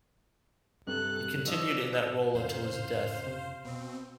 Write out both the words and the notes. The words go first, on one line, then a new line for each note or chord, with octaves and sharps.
He continued in that role until his death.
G2 C3 A4 F#6
F3 D4 D#5 D#6 E6
F2 C#3 C5 F5
C3
B2 C4